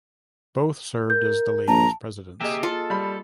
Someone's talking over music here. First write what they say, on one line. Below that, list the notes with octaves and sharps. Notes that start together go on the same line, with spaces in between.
Both serve as the label's presidents.
A#4 G6
A#1 A5 A#5
A#3 G4 G#4 D#5 E5
F4 A4
G3 B5